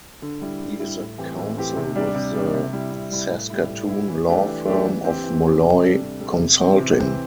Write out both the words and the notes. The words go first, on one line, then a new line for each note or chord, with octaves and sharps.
He is a counsel with the Saskatoon law firm of Molloy Consulting.
D3
G3 E4
D3
G3 E4
A2
E3 C4 G4
A2
E3 C4 G4
C3
G3 D4
C3
G3 D4
C3
G3 E4
C3
G3 E4
A2
G3 E4
A2
G3 E4
E3
A3 D4 G4
E3
A3 D4 G4
E3
C4 G4
E3
C4 G4
C3
G3 D4 A4
C3
G3 D4 A4
C3
E3 C4
C3
E3 C4